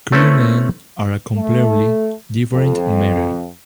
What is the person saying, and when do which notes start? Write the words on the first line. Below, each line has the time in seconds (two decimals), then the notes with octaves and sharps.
Crewmen are a completely different matter.
0.12 A3 C4 C#4 E4 A4 B4
1.36 A3
2.53 F2